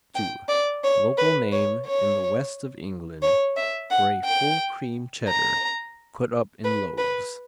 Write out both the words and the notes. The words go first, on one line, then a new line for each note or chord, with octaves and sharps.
II: Local name in the West of England for a full cream Cheddar put up in loaves.
G5
D5
C#5
B4
C#5
C#5
C#5
E5
F#5
G5
A#5
B4
B4